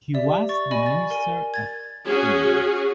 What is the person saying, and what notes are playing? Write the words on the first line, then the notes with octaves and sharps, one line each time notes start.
He was the Minister of Energie.
G4 D5 E5
C#6 A6
D5 D#5 G#5 B5 C#6
A6
A#4 G#5
G#6 A6
C#4 F#4 G#4